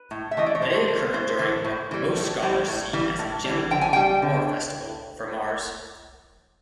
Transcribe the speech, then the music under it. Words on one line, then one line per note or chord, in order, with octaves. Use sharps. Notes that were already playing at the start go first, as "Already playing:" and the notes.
They occur during what most scholars see as a general "war festival" for Mars.
Already playing: B4
A2
E5
E3 A3 D#5
D5
C#5
A2 C5
E3 A3
A2 C5
E3 A3
A2
E3 G3
A2
E3 G3
A2
E3 G3
A2
E3 G3
D3 G5
G#5
G3 G5
D3